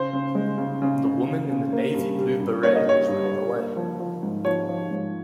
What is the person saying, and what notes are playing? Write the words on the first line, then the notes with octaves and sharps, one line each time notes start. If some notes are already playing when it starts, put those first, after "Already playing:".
The woman in the navy blue beret was running away.
Already playing: C#3 C5
C#3
G#3
C#3
C#3
C#3
C#3
C#3
A#3
G2
G3
G2
A#3 C#5
D#5
G2 C#5
G2
G2
A#3
F3
F3
G#2
F3 C#5
F3
G#2